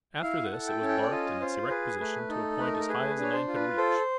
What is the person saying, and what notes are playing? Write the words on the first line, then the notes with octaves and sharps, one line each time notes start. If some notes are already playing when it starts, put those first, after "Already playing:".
After this it was barked in its erect position to a point as high as a man could reach.
E4 F5
F#5
A4
G5
C#4
G5
D5
F4 D#5
F4 C5
G#4 B4
A3 B4
D#4 A4
A3 B4
A#4
A4
A#4
G#4 B4
B4
D4
C#5
C5
F4
B4
A4 C5